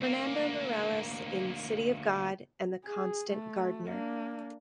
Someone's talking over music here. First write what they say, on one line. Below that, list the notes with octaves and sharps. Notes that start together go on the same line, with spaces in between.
Fernando Meirelles in "City of God" and "The Constant Gardener".
D2 A#3
G#4
A3
A#3 D4